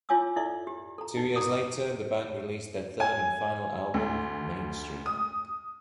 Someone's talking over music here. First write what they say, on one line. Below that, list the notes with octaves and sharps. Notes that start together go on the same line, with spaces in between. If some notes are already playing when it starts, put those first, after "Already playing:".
Two years later, the band released their third and final album, "Mainstream".
E4 F4 C#5 G#5 D6 E6
E4 A4 D5 E5
G4
A4 A#5
D#4
A#5 D6 D#6
G#5
D2
D#6